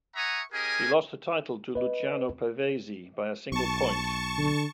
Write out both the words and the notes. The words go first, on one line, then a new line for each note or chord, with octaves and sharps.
He lost the title to Luciano Pavesi by a single point.
E5 F#5 G#5 A#5 C#6 D#6
C#4 G4 G#4 A#4 D#5 G#5
B4 D#5
B1 A5 C#6
D3